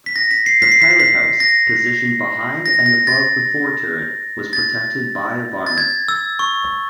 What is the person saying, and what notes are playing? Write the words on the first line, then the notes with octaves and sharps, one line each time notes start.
The pilothouse, positioned behind and above the fore turret, was protected by of armor.
B6
A#6
B6
C7
B6
C7
B6
C7
B6
A#6
A#6
A#6
A6
A6
A6
G#6
E6
C#6